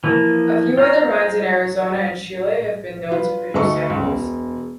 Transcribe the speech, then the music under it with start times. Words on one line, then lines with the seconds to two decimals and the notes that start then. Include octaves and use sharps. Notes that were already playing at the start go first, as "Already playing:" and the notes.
A few other mines in Arizona and Chile have been known to produce samples.
0.04 E3 F3 A#3
0.77 F4 C5 F5 A#5
3.12 F4 B4
3.54 D2 D#4 A4 C#6
3.90 C#2
4.04 E1